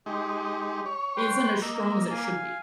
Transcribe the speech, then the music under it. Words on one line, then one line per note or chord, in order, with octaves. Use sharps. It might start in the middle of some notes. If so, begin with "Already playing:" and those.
isn't as strong as it should be.
G#3 D#4 G4
C#5
B4 G5 C6
A#3 D#5 E6
F5 G#5